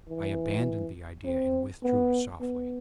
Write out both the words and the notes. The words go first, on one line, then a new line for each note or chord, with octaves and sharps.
I abandoned the idea and withdrew softly.
E3
C4
B3
B3